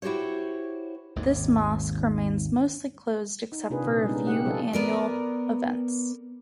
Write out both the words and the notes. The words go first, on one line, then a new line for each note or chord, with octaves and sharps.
This mosque remains mostly closed except for a few annual events.
E4 F#4 G4 C5 C#5
G#1 D#2 G#2
D#4
C3 A#3 D4 F4 G#4 B4
A#2 D3
G3 G#3 B3 C#4 D#4
A#3 C4 G4 F#5
F3 G3 F4 G#4 A4 B4
B3 A#4 D5